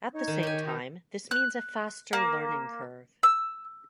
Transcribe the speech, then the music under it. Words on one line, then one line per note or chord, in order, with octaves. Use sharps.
At the same time, this means a faster learning curve.
D#4 C#5
D#3
G4 G#5
B2 D#4
F#6
A#3
E6